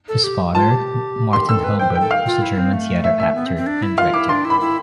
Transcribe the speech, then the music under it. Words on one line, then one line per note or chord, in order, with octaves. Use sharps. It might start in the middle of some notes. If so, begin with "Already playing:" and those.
His father, Martin Hellberg, was a German theater actor and director.
A4
G4
F4 A5
G4
C6
A4 E6
B4
C5 G5
B4
A4 G5
F5
F4
E4
C4
A3
E5
E5
B3
C4
C4
D4
E4
F4 F5
E4 D6
D4 C6
E4
B5
E4